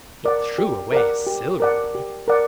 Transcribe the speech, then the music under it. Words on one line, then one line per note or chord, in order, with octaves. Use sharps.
He threw away his silver money.
A#4 D5 F#5
G4
A#4 D5 F#5
G4
A#4 D5 F#5
G4
A#4 D5 F#5